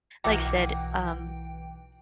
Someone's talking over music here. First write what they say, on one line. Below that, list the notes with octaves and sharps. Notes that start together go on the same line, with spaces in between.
like said, um,
B1 E3 A#3 F#4 F#5 G5